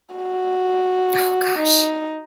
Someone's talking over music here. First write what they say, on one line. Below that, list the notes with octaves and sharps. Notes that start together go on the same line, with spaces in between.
Oh gosh.
F#4
D#4